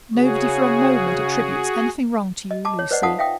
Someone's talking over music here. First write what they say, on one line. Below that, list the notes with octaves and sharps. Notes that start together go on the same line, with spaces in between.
"Nobody for a moment attributes anything wrong to you, Lucy."
C#3 F#4 G#4
D#5
A5 D6
C#5
B4 C5 D5 D#5 F#5
D#4 F4 F5 F#5 A5 D#6
E5 F5 G5 D#6